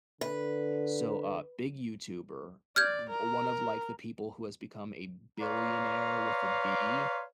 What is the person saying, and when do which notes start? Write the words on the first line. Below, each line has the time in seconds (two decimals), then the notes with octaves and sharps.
So, a big YouTuber, b b one of, like, the people who has become a billionaire with a B,
0.21 D3 B4
2.76 D5 F6 G6 G#6
3.10 A#4
5.39 B4 C#5 D5 F5 A#5 C6